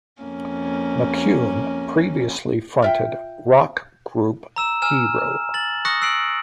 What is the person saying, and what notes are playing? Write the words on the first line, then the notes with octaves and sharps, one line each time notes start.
McKeown previously fronted rock group Hero.
F2 A#3 C#4
F4 E5 G5
A#5 E6 E7
G#5 E6 F6 E7
A6 F#7
C#6 D#6 F#6 A#6 C#7
E6 F#6 C7 D7 F#7